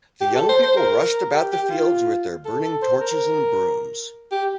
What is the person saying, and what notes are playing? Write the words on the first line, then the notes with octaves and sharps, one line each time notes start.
The young people rushed about the fields with their burning torches and brooms.
G4
A4
C5
C5
A#4
G4
G4
F4
A4
A4
C5
A#4
G4